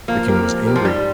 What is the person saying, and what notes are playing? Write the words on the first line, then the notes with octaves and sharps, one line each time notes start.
The king was angry.
F3 A#3
C4 G4 A#4
F3
C4 G4 A#4
F3
G#2 G3